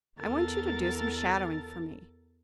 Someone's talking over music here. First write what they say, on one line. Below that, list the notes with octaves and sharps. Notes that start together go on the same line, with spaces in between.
"I want you to do some shadowing for me."
E2 A4 A#4 A6